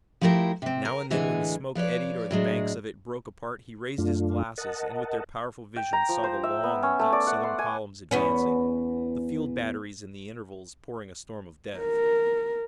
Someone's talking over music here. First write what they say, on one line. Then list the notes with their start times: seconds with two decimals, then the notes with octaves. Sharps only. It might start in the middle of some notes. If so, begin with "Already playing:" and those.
Now and then when the smoke eddied or the banks of it broke apart he raised his glasses and with their powerful vision saw the long and deep Southern columns advancing, the field batteries in the intervals pouring a storm of death.
0.21 F3 A3 E4 G4 A#4 C5
0.62 C3 C4
0.85 A#4
1.10 A2 D3 E3 G#3 G#5
1.75 F3 B4 C#5 D5
2.31 A2 F#3 G#3 D4
3.98 F#2 A3 D4 F4
4.58 A#4 D#5 F#5 A5
5.76 G5
5.93 A#5
6.09 F3
6.23 C5
6.43 E5
6.63 B3
6.83 C#4
6.99 A3
7.13 D5
7.27 F#5
7.43 C6
7.59 G#5
8.11 E2 B3 C#4
11.78 A#4